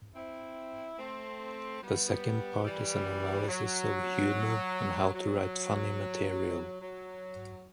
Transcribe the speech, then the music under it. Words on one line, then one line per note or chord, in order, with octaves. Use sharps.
The second part is an analysis of humour and how to write funny material.
C4 E4
A3 C4
G3 B3
E3 G3
F#3
F#3
F#3